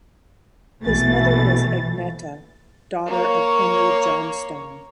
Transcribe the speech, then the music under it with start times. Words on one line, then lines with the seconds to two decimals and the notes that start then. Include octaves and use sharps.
His mother was Agneta, daughter of Henry Johnstone.
0.82 A#1 B2 E3 A3 A6
3.09 A#3 C#5